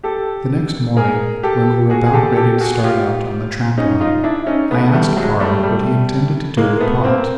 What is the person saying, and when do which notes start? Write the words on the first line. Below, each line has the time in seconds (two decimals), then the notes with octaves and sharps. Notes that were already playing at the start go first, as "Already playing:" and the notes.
The next morning when we were about ready to start out on the trap line I asked Pard what he intended to do with Pont.
0.04 G4 A4
0.97 G#4 A#4
1.43 G4 A4
1.90 F#4 G#4
2.06 G#4
2.13 G4 A4
2.36 G4 A4
2.60 F#4 G#4
2.84 F4 G4
3.78 C#4 D#4
4.00 D#4 F4
4.24 D4 E4
4.47 C#4 D#4
4.71 A3 B3
4.93 G3 A3
5.17 F#3 G#3
5.40 G3 A3
5.63 G3 A3
6.57 G#3 A#3
6.80 A3 B3
7.04 A#3 C4